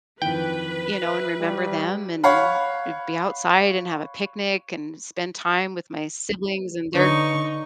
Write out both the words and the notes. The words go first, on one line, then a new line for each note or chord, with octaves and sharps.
you know, and remember them and, eh be outside and have a picnic and spend time with my siblings and their
F2 D#3 E3 B4 G5
E5
G3
C#5 F5 F#5 B5
D3 D4 D#4 B4 C#5 C#6